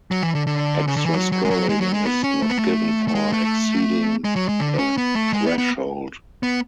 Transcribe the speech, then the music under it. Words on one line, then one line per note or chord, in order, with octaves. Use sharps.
Extra scoring is not given for exceeding the threshold.
F#3
E3
D3
D3
C#3
D3
E3
F#3
F#3
G#3
F#3
G#3
F#3
G#3
B3
C#4
A3
B3
A3
A3
G#3
A3
G#3
F#3
G#3
D3
C#4
B3
A3
G#3
B3
B3
B3